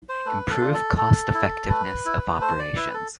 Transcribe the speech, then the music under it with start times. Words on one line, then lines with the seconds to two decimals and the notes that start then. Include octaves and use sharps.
Improve cost-effectiveness of operations.
0.09 C5
0.26 A3 B4
0.50 A4
0.62 D4 F4
0.74 A4
0.97 A3 A4
1.34 E4
1.69 A3 B4
2.05 E4
2.40 A3 C5
2.59 D5
2.76 E4 B4
2.94 A4